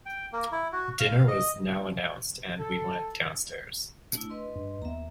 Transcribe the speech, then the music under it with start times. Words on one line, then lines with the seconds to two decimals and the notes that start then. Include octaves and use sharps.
Dinner was now announced, and we went downstairs.
0.06 G5
0.33 A#3
0.52 E4
0.73 F#4
1.00 F5
1.28 D#5
2.59 A4
4.13 A3 D4 E4
4.30 B4 D#5 C6
4.55 G2
4.82 D#2 B3 E5 A#5